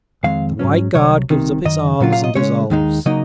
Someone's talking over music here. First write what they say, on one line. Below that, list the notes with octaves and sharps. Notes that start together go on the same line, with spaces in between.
The White Guard gives up its arms and dissolves.
F2 D#3 G#3 C4 F5
G#2 F#3 C#4
C2 C3 F#3 C#5
C2 C3 D#3
F#2 D#3 D#5
A#2 F#3 A#3 C#4 F4
F5
D#5
C#3 G#3 C#4 C#5
D#2 D#3 G#3 D#4
C#3 F#3 A#3 D#4 D#5